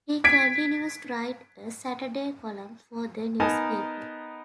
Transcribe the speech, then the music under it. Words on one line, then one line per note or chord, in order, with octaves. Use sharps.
He continues to write a Saturday column for the newspaper.
G#6 B6 D7
B3 D#4 A#4 D#5 G#5 A5